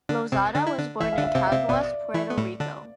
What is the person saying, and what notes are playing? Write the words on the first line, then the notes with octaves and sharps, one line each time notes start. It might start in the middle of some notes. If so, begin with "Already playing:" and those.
Lozada was born in Caguas, Puerto Rico.
D3 D4
C3 C4
D3 D4
E4
D3 D4
E3 E4 E5
F5
D3 D4
E5
C3 C4 F5
C3 C4 E5
B2 B3 D5
E3 E4
B3
A2 A3
D3 D4